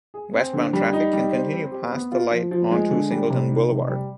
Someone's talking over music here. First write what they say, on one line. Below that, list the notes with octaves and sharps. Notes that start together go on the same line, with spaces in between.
Westbound traffic can continue past the light onto Singleton Boulevard.
G#4
C4
D3
G3
D#4
G3
C5
C4
G4
B3
F4
F3
F3
G#3
D3
G3
C3
D#3
C3
G3